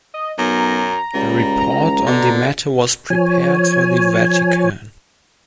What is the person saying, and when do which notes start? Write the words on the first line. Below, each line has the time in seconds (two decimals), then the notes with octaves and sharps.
A report on the matter was prepared for the Vatican.
0.14 D#5
0.38 B1 F#2 A#5
1.14 C#2 G3
1.61 A#5
2.07 B2 D3
3.10 F3 C#5 G#5